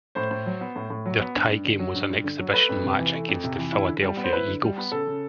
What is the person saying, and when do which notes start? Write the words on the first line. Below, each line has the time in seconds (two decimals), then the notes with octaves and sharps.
Their tie game was an exhibition match against the Philadelphia Eagles.
0.15 A2 C5
0.31 A2
0.46 F#3
0.61 B3
0.76 A2
0.90 A2
1.06 F#3
1.20 B3
1.35 G2
1.50 G2
1.65 D3
1.79 F#3
1.95 G2
2.10 G2
2.24 D3
2.39 F#3
2.53 A3 B4
2.69 F2
2.84 C3
2.99 E3
3.14 A3
3.28 F2
3.44 C3
3.58 E3
3.72 E4
3.88 D3
4.02 G3
4.17 B3
4.24 C5
4.33 E4 B4
4.47 D3
4.63 G3
4.78 B3
4.92 C#3 A4
5.07 C#3